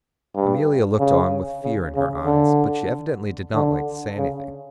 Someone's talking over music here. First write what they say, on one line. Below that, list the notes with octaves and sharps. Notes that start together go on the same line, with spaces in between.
Amelia looked on with fear in her eyes, but she evidently did not like to say anything.
G2
C#3
C#3
C#3
D3
D3
C#3